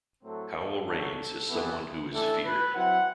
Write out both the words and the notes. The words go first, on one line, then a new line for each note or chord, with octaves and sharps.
Howell Raines is someone who is feared.
A2 F#3 A3 C4 A4
D3 F#3 A3
C3 E3 B3 E4
A2 E3 A3 D4 A4
B4
F#3 C4 E4 F#5